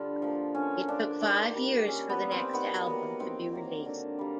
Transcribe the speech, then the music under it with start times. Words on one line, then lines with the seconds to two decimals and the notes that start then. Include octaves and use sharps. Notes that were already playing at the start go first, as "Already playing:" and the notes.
It took five years for the next album to be released.
Already playing: D3 G3 F4
0.22 F3 A#3
0.55 D3 C#4
0.88 F3 A#3 D4
1.21 D#3 D4
1.55 G3 A#3
1.87 D#3 C#4
2.09 B3
2.20 G3 A#3
2.32 C4
2.53 D#3 B3
2.86 F#3 A#3 B3
3.19 D#3 C4
3.53 F#3 A#3
3.86 D3
4.19 G3 A#3